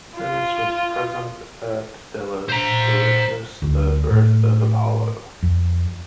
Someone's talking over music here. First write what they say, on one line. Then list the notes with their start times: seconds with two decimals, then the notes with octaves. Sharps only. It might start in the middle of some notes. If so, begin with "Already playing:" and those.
Themis was present at Delos to witness the birth of Apollo.
0.15 F4
2.49 C5 A#5
3.62 D2
4.10 A2
5.43 F2